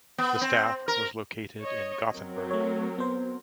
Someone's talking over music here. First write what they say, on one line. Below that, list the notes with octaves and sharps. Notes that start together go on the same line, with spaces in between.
The staff was located in Gothenburg.
B3
C4
A#4
C#5 D#5
F#3 C4 A#4
A3 C#5
B3 C5